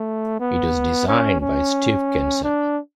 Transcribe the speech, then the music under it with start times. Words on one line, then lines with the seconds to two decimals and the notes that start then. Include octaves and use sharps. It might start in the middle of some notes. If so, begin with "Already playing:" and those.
It was designed by Steve Kenson.
Already playing: A3
0.40 B3
1.07 C#4
1.41 C#4
2.43 D4